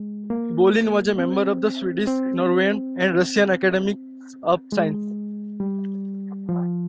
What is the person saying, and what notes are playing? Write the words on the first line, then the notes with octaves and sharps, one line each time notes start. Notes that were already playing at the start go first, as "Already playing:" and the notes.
Bolin was a member of the Swedish, Norwegian and Russian Academies of Sciences.
Already playing: G#3
A#3
C4
C4
G#3
G3
F3